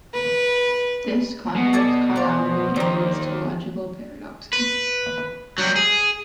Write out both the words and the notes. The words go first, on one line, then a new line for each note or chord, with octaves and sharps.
This contradicts causality and leads to logical paradoxes.
B4
B2
A4 D5 G#5
F4 C5 D5
D#2 G3 D#4
B4
F#3 G3
G#4